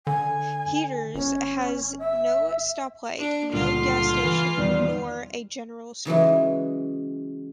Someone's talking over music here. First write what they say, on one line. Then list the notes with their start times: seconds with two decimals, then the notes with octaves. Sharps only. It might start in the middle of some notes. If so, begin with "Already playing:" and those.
Heaters has no stoplight, no gas station, nor a general store.
0.07 D3 G#5
1.15 G1 C#4
1.98 E5
3.19 D4
3.53 C#2 G2 A#2 D3 F4
4.22 E3
4.57 E2 B2 D#3 G3
6.05 C#3 E3 F#3 G#3